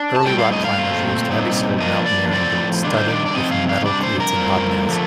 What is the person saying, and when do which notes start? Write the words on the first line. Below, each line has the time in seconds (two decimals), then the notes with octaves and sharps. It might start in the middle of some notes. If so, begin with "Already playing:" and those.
Early rock climbers used heavy-soled mountaineering boots studded with metal cleats and hobnails.
Already playing: D4
0.16 A5
0.26 A2 G3 C4 G5
0.39 F5
0.52 D#5
0.65 F5
0.78 A#2 A3 C4 F4
1.29 A#2 G3 C4 D#4
1.80 F3 A#3 D4 F4 D#5
2.06 D5
2.32 A2 F3 C4 F4 D5
2.83 D#3 G3 D4 F4
2.97 C5
3.09 D5
3.26 D5
3.34 C3 F3 C4 D#4 D#5
3.51 F5
3.69 F5
3.85 C3 G3 D4 D5
4.03 C5
4.20 A#4
4.37 A2 G3 C4 F4
4.88 D3 F3 A3